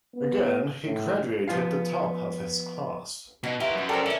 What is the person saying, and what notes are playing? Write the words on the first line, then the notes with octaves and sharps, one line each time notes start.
Again, he graduated the top of his class.
B3
A2
F3 B3 F4 F5
B2 D#4
B2 E4 F4 G4 A#4
F#2
G4 A4 A#4 C5 D5
E3 C#4 E5